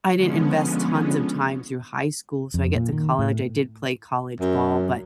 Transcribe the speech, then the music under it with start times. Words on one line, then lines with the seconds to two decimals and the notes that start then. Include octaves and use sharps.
I didn't invest tons of time through high school, so I get to college I did play college ball, but
0.13 D3 F3 G#3 B3 C#4
2.54 F2
2.76 A#2
2.92 D#3
3.19 A2
4.40 F#2